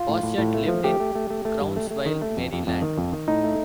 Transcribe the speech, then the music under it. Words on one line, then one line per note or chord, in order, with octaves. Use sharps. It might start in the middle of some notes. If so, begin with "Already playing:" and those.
Boschert lived in Crownsville, Maryland.
Already playing: F4
A2
A2
A2
A3
F3
A3 G4
A3
A3
A3
A3
G2
A3
A3
D#3
A3
F2
F2
F2
D#3
F2
D#3
A2 D#4
A3